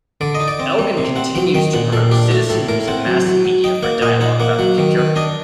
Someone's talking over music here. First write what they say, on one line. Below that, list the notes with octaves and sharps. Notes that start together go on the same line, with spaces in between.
Elgin continues to promote citizen use of mass media for dialogue about the future.
D3 D5
D#5
D#4
D5
C4
G3
C3
C4 F#5
F#3 G5
D#3 G5
A#2 F#5
A#2 A4
D4 G4
A3 F#4
A2 A4
A2 A#4
C4 F#5
F#3
F#3
F#3
D#4 G5
A#3 F#5
A#2 D#5
D#4 F#5
A#3 F#5
F#3 F#5
D#3
D#3
D4 D#5